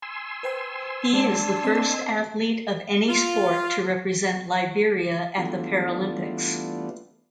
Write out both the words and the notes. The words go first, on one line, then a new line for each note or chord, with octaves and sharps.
He is the first athlete of any sport to represent Liberia at the Paralympics.
G#5 C6 E6
B4 C5 G5
G#3 D4
C4 D#5
F4
E3 G3 A3 B3 D4 F4